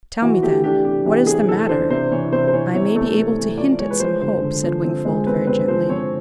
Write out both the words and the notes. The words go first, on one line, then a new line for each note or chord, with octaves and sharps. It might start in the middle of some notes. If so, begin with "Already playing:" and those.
"Tell me, then, what is the matter; I MAY be able to hint at some hope," said Wingfold, very gently.
E3 F#4
A3 G4
D4 G4
C3 G4
E3 G4
C3 G#4
E3 A4
D4 C5
C3 C5
E3 C#5
C3 C5
C5
E3 C#5
C3 C#5
A3
C3
E3
F3 D5
G#3 C#5
B4
F3 C5
D3 C5
D3
F3
C4
G#3
C4 B4
C4 B4
F3 C5
C4 C#5